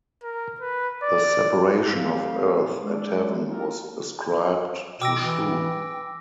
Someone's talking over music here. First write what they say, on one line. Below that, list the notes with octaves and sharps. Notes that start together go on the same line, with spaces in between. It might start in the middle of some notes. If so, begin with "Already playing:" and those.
The separation of earth and heaven was ascribed to Shu.
A#4
B4
D5
F#3 A3 C4 G4 A4 F5
A#1 A#3
G#3 D4
C#4 E4 F4 G4 A4 A#4
B2 G5 D6 E6 A#6
E3